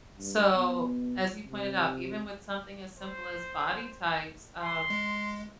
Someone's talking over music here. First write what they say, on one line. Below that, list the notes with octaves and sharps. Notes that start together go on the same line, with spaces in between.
So, as you pointed out, even with something as simple as body types, um,
G2
B2
C3
C5
C6
G#3